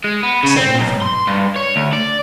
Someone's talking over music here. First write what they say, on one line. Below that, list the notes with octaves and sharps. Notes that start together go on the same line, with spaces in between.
I said nothing.
G#3
B3
C#3
C4
B1
C6
G2
C#5
D2
D5